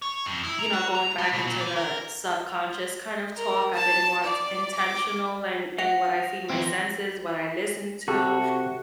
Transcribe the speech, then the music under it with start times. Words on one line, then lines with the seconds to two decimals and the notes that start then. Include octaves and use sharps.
you know, going back into the subconscious kind of talk, I've been more t intentional in in what I feed my senses, what I listen to.
0.02 C#5
0.26 F2
0.44 E4
0.59 A#5
0.73 F#4
0.95 A#5
1.18 G3
1.33 B2
1.47 A#2
1.61 E3
1.76 A#4
3.37 A#4
3.74 A5
4.23 D5
4.75 D6
5.78 F#5 A#6 F7
6.50 F3 C4
8.08 C3 F#4 G4 A4